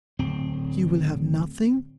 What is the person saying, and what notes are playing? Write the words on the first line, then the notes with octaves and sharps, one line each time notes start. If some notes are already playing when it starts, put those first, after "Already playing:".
"You will have nothing!"
D1 C4